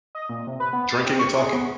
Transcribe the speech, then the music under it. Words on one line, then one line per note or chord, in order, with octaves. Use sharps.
Drinking and talking.
D#5
A#2
C3
B4
B3
A6
C4
C#6
G#4
B3